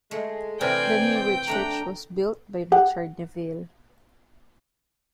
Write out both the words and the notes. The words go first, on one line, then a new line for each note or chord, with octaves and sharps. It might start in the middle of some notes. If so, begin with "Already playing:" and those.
The newer church was built by Richard Neville.
G#3 A3
C3 E3 C4 A#4 D5 G5 G#5
A3 D4 F#5 A#5
G4 F#5